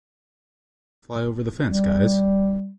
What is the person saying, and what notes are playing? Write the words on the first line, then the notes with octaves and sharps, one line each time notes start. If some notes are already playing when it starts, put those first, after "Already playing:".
Fly over the fence guys!
G3